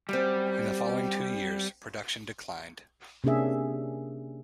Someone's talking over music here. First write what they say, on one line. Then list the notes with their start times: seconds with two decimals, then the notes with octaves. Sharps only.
In the following two years, production declined.
0.09 F#2 G3 C4
3.24 C3 A#3 C#4 D4 G#4 E5